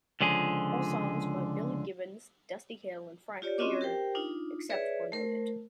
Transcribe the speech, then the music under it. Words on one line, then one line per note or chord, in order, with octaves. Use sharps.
All songs by Billy Gibbons, Dusty Hill and Frank Beard, except where noted.
C#2 D3 F3 G#4
F4 G4 C#5 D5
C4 C#4 F4 F#4 D#5 D6
G4 A#4 C5 G5
D4 D#4 F4
G#4 B4 C#5 D5 E5
A3 A#4 C5